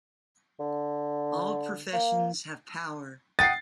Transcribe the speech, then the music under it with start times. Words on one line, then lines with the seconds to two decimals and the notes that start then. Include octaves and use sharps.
All professions have power.
0.60 D3
1.93 A#3
3.39 F#5 G5 D#6 A6 C7